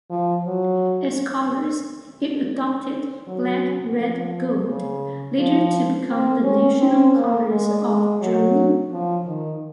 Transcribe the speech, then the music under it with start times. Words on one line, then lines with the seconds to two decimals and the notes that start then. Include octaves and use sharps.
As colours, it adopted Black-Red-Gold, later to become the National colours of Germany.
0.10 F3
0.45 F#3
3.27 F#3
3.98 F3
4.68 C#3
5.38 F3
6.09 C4
6.44 C#4
6.80 C4
7.16 A#3
7.51 G#3
7.85 G#3
8.21 F#3
8.92 F3
9.27 D#3